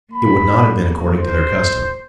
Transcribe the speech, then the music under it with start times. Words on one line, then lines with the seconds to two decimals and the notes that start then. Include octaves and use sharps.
It would not have been according to their custom.
0.12 A#3 B5
1.16 C5